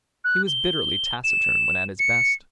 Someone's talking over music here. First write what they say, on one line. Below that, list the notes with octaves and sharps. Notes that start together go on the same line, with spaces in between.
He was bitterly taciturn when at his best.
F#6
G7
E7
C#7